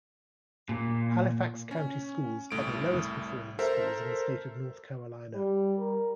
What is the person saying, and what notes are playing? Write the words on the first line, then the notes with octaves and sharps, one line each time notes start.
Halifax County Schools are the lowest performing schools in the state of North Carolina.
A#2
C#4
C2 A2 D7
A4 A#4 C5 E5
G3
A#4